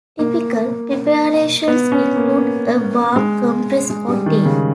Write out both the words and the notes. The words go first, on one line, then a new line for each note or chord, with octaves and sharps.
Typical preparations include a warm compress or tea.
A#3
B3
C#4
A#3
G#3
G#3
G3
D#3
C#3